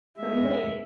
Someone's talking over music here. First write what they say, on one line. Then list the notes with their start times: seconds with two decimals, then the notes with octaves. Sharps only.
some people hate it.
0.18 G#3 E5